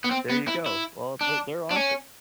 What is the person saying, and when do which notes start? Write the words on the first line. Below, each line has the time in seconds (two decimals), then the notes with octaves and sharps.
There you go. Well, they're they're on it.
0.04 B3
0.11 C4
0.30 B3
0.48 E4
0.66 E4
1.21 D4
1.71 D4
1.76 C#4